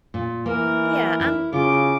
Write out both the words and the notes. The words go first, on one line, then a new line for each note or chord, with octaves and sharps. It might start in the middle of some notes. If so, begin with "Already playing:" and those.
Yeah, I'm
A#2
E3 A#3 A#4
E4
C#3 F4 D6